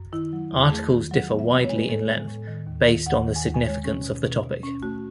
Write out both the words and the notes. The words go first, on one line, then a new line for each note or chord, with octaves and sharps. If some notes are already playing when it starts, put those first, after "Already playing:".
Articles differ widely in length based on the significance of the topic.
Already playing: F#2
D#3 E4
F#3
E2
A3 G#4
D#3
F#3
B3
E5
B3 D#5
C#5
G#3
B4
A2 A4
G#3
A2
D#3
D#2
D#3
D#2 F#5
D#3
G#5
D#2
G#5
G#3 C#5
C#4
B2
B2
B2
C#4
A3 F#4